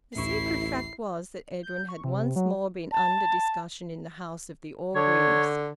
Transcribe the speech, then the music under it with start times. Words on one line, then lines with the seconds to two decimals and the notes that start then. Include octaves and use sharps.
The secret fact was that Edwin had once more been under discussion in the house of the Orgreaves.
0.16 A1 D2 A2 E4 C#6 C7
1.63 G6
1.89 C#6
2.04 C3
2.36 F#3
2.92 A5
4.96 D3 D4 C#5